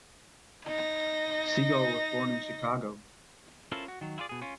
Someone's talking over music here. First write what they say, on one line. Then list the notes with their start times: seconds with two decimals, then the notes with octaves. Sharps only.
Segall was born in Chicago.
0.66 D#4 A#6
3.72 C#4 E4 F4 A4 A#4 C5
3.88 F#4
4.01 D#3 F#3
4.18 E4 F4 G#4 D5
4.29 B2 G#4
4.42 C#4 F4